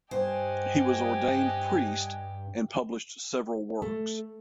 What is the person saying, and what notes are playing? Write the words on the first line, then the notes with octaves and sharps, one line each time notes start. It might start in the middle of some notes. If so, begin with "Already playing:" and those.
He was ordained priest and published several works.
G2 G4 C5 D#5 F#5 G#5
A3